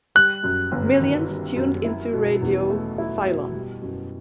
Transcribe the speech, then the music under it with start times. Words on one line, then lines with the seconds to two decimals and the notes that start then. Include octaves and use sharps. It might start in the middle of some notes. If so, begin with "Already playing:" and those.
Millions tuned into Radio Ceylon.
0.15 G3 F#6
0.43 F#2
0.72 G1
1.01 D#3
1.29 G3
1.56 F#2
1.84 E4
2.13 B2
2.42 E2
2.70 A3
2.98 E4
3.26 B2
3.54 G3
3.82 F#2